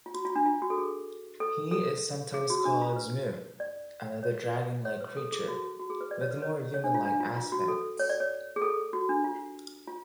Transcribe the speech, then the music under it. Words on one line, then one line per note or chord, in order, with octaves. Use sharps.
He is sometimes called "zmeu", another dragon-like creature, with more human-like aspects.
F4
F#4
F4
D4
F4
F#4
A4
G#4
A4
A4
G#4
F#4
D4
F4
B4
D5
C#5
C#5
B4
A4
G#4
F#4
F#4
G#4
B4
D5
C#5
B4
C#5
C#5
D4
F4
D4
F4
F4
F#4
A4
C#5
D5
C#5
G#4
A4
F#4
D4
F4
F4